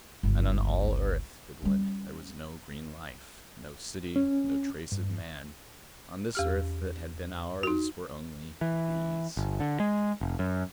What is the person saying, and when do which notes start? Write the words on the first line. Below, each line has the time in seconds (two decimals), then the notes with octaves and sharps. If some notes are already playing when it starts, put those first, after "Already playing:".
And on all Earth, Goodwin, there was no green life, no city, no trace of man. On this Earth that had been ours were only--These.
0.23 G1 C#2
1.62 G3 C#4
4.16 C#4
4.92 G2
6.35 E2 G4 F6
7.63 D#4 F#4
8.61 E3
9.37 G1
9.60 D3
9.80 G#3
10.21 F1
10.39 F#2